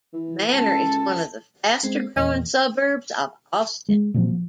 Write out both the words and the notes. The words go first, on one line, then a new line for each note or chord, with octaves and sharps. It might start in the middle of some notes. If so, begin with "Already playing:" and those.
Manor is one of the faster-growing suburbs of Austin.
E3
C#2 A4
G#3 C4
E2 A#2 D#5
G#3
A#2 F3 F#3 C4
F3